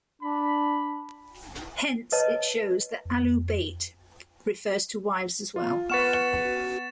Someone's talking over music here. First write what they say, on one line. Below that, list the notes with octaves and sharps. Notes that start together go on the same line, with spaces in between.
Hence, it shows that Ahlul-bayt refers to wives as well.
D4 B5
B4 C#5 D#5 A5
F2
F4
B3 B4 F#5 C#6 F6 A6 C#7 E7